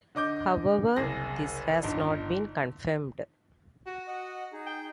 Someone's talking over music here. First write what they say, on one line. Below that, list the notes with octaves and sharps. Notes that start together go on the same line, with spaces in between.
However, this has not been confirmed.
D3 D#5 D6 G6
F#1 C2 G#4 A#6
G1 D4 D#4
F#4
D#5 F#5
D#4 G#4
G5